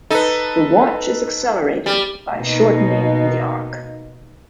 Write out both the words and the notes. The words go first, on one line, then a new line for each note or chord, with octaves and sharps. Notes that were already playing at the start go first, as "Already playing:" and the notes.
The Watch is accelerated by shortening the arc.
D#4 A4 B4
G3
B2 A#3 D#4